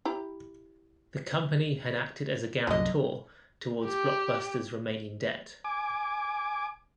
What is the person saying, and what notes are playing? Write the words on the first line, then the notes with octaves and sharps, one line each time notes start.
The company had acted as a guarantor towards Blockbuster's remaining debt.
E4 G4 A#5
C2 F#2 D3 F#3 G#3 D#5
G4
G#5 D6